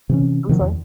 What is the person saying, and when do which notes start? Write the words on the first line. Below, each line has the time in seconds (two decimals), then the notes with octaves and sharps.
I'm sorry?
0.09 C3 E3 C#4
0.49 C3 D#3 F3 F#3
0.61 E2